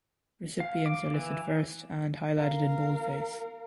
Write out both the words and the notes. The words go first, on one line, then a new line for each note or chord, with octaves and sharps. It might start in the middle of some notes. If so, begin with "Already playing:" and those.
Recipients are listed first and highlighted in boldface.
F5
D6
E3
A#4 F5